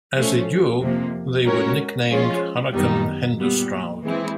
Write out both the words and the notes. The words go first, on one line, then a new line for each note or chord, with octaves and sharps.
As a duo, they were nicknamed "Hurricane Henderstroud".
F3 A3 C#4
F2 C3 F3 A#3
G#3 C#4 F#4 A#4 C#5
F3 G#3 C#4 F4
F#2 D#3 G3 B3 D#4
A#2 G3 B3
E3 G#3 C4 E4